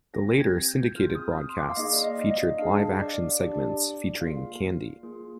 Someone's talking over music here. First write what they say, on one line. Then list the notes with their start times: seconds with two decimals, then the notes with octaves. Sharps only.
The later syndicated broadcasts featured live action segments featuring Candy.
0.14 C4 G4 A#6
0.41 G#6
0.69 G6
0.92 G6
0.96 C4 F4 G#4 F6
1.15 D#6
1.49 C6
1.57 D6
1.70 F5
1.76 A#3 D#4 G#4 D#5
1.93 D5
2.04 D#5
2.31 D#5
2.58 D4 G#4 F5
2.99 D5
3.40 D4 G4 D5
4.21 A#3 F4 G#4 F5
5.03 A#3 F4 G#4